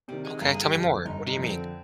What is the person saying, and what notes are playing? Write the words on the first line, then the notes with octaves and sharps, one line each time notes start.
Okay, tell me more, what do you mean?
C3 D#3 G3
G#3
G1 A#3
G#4
G4
F2 D3
G1 D#4
D#4
F2 D3
C4